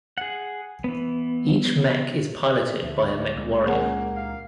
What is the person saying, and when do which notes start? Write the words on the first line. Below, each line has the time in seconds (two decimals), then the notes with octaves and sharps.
Each mech is piloted by a mechwarrior.
0.18 G#4 F#5
0.84 E3 B3
2.83 D2 E5
3.03 A#3
3.35 C#2 A#2 G#3
3.67 A#3 C#4 G#4 F#5 G#5
4.16 F5